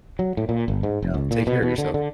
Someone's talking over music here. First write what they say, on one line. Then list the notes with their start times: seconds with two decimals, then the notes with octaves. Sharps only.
You know, take care of yourself.
0.19 F#3
0.37 A2
0.49 A#2
0.68 G1
0.83 G#2
1.03 F1
1.14 C#2
1.31 A#2
1.47 B2
1.62 B2
1.78 D3
1.94 D3